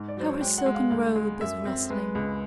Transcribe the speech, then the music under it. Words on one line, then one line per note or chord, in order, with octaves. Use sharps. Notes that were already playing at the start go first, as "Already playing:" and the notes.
How her silken robe is rustling!
Already playing: G#2
D5
F#3 C5
C#5
G#3 G5
F#5
G#3
F5
D2 F5
G#3
F#2 E5
C4
G#3 B4
C#2